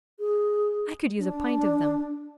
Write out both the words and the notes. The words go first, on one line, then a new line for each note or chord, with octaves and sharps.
I could use a pint of them!
G#4
D4